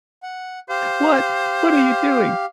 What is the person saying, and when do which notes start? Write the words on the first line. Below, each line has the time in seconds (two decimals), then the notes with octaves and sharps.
What what are you doing?
0.23 F#5
0.69 G4 C5 F5